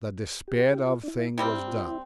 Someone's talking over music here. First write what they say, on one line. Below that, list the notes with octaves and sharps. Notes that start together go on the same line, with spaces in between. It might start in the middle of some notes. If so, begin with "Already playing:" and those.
The despaired-of thing was done.
G4
G4
F4
D4
E4
C3 G3 C4 E4
F4
E4